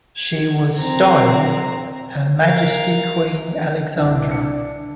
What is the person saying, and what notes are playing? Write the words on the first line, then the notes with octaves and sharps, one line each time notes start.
She was styled "Her Majesty Queen Alexandra".
G#6
F2 C4 A#5
A#4 F5
G1 C2 D4
C#7